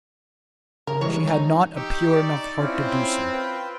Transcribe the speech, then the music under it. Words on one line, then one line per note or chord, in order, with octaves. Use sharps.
She had not a pure enough heart to do so.
C#3 A#4
E3 G3 G#3 C#5
D#4
D#4 G4 C#6 E6
D5
C4 C#4 E4 F4
F4 B4 G5